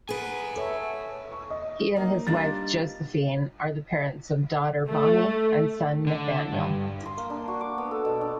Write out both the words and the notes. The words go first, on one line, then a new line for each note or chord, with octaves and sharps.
He and his wife, Josephine, are the parents of daughter, Bonnie and son, Nathanael.
G#4 B4 F#5 G#5
A4 C#5 E5
C#6
D#5
A#3 D#4
G3 D4 F4 A6
A3
D3
G2
C6
A#3
D4
F#4
D6
B3
A4
B2
D4